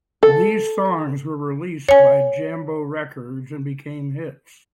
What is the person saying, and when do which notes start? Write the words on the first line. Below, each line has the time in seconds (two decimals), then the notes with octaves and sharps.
These songs were released by Jambo Records and became hits.
0.23 A4
1.89 C#5 G#5